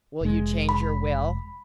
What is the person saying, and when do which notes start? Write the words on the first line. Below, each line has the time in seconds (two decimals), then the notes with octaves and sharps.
"Will you change your will?"
0.21 F1 G#3
0.69 B5